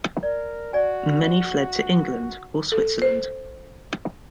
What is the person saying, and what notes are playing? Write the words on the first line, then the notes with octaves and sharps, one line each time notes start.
Many fled to England or Switzerland.
A#4 D5
F#4 D5 G#5
A4
C5